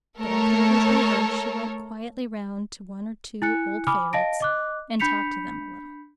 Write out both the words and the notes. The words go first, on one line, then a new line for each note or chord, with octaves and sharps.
But after it was over, she went quietly round to one or two old favourites, and talked to them a little.
A3 A4 A#4 C#5
E4 G#5 F#6 C#7
G#5 B5 D6 D#6 F6
D#5 F5 A5 A#6 D7
D#5 D6 F#6
D4 B5 G6 B6 C#7 F7